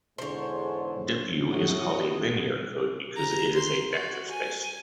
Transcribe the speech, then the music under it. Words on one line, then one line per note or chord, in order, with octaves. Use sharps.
"W" is called a linear code because it is a vector space.
E2 G#2 D3 C5 C#5
A2 F#4 D#5
A#5
C6
F#4
G#5